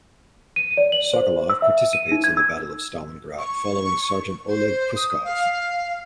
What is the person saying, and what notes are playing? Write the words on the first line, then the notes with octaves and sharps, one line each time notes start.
Sokolov participates in The Battle of Stalingrad following Sergeant Oleg Puskov.
D#7
D5
F#7
C5
E6
E5
D#7
D#4
G#6
E6
C#6
C5
D#6
F5